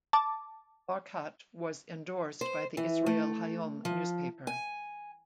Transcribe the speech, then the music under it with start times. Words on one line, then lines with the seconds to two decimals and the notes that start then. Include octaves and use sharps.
Barkat was endorsed by the "Israel Hayom" newspaper.
0.13 A5 D6
2.41 C5
2.77 E3
3.06 A3
3.85 F3
4.47 G#5